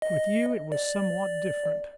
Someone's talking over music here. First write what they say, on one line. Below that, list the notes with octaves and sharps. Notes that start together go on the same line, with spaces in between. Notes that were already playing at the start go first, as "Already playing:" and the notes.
With you it was somewhat different.
D#5
D5